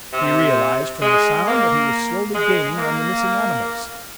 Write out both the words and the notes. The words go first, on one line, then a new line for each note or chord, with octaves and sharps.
He realized from the sound that he was slowly gaining on the missing animals.
C3
G#3
A#3
G#3
A#3